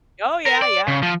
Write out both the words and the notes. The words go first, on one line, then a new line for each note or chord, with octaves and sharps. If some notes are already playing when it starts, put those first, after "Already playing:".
Oh, yeah, yeah.
A#4
D5
C#3
F3